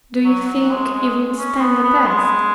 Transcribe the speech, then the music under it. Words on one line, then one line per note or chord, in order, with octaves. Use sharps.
"Do you think he would stand the test?"
F#3
F#3
G#3
G#3
C#4
B3
B3
G#3